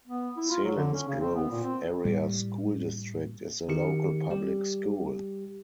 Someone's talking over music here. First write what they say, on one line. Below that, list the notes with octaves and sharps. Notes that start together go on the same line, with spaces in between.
Selinsgrove Area School District is the local public school.
B3
E4
F4
F#3
D3
C#4
C#3
C4
B3
A#2
C4
A2 G3
D#3 G4 C#7
G3 G4